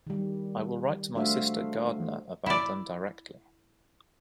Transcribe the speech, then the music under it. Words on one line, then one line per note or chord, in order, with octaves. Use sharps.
I will write to my sister Gardiner about them directly.
D#3 G3
A3 D4 F#4 C5 E5 F5
E4 D5